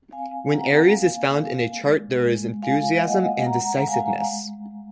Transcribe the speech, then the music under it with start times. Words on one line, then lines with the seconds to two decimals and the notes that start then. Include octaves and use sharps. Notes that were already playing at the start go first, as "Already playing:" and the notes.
When Aries is found in a chart, there is enthusiasm and decisiveness.
0.12 C4 F5 G#5
0.54 C4 F#5 A#5
0.95 A#3 F5 G#5
1.38 A#3
1.80 G#3
2.21 G#3
2.63 F4 F5 G#5
3.04 A#3 D#5 F#5
3.46 G#3 F#5 A#5
3.87 G#3 F5 G#5
4.30 G#3
4.71 G#3